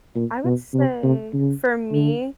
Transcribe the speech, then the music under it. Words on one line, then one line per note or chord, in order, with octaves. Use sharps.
I would say for me,
A#2
B2
C3
C3
C#3
D3